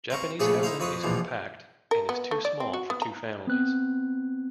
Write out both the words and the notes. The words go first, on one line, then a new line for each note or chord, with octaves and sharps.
Japanese housing is compact, and is too small for two families.
C4 A#4 C#6
A#1 C#3 A3 G#4 B4 C#6
D#4 E4 C5 F5
F2 C4 B4 C#6 D#6
A#1 B2 E3 F3
A#4
B3
A3
D5
C4
F#4
B3
A#5
B3 C4 F#6